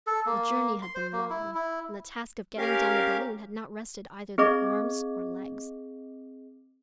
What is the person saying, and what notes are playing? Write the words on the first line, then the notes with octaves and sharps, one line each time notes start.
The journey had been long, and the task of getting down the balloon had not rested either their arms or legs.
A4
A#3
C6
C5
A#3
E4
E4
C#4 G4 A#4 F5
C4 G#4 D#5 D6